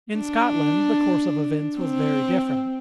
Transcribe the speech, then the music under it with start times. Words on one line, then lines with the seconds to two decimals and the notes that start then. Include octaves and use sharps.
In Scotland the course of events was very different.
0.16 D4
1.79 C4